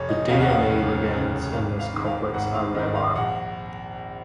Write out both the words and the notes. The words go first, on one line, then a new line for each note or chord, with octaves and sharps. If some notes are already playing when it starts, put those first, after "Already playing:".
The dme ligands in this complex are labile.
Already playing: F1 C#5
D#5
D#2 C#3 F5
F#5
F5
F1 F#5
D#2 C#3
G#1 F5
F5
G#2 D#3
F5
G#1 F#5
F5
G#2 D#3 D#5
F5
A#1 F#5